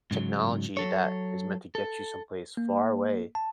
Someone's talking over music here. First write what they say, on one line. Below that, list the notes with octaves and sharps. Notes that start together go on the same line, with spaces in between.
technology that is meant to get you someplace far away
G#2 C#3 E3 F#3
F#3 A4 C#5
A4
A#3
A5